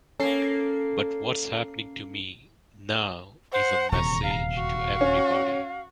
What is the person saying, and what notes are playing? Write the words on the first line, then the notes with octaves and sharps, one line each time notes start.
But what's happening to me now is a message to everybody.
A#3 C#4 A4 C7
C5 F#5
D#1 E2 C3 A#5 C#6
F5
F#4
C#4